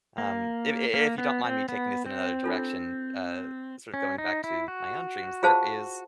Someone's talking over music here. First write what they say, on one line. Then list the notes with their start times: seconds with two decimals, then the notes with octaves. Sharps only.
Um, if i i if you don't mind me taking this in another direction, uh, sorta going back to my own dreams, there is
0.18 A#3
0.94 A#3
1.18 B3
1.44 C4
1.69 B3
2.06 C4
2.44 D4 F4 A4
3.94 C#4
4.18 D#4
4.44 E4
4.68 F#4
5.43 F4 G#4 C5 F5 A5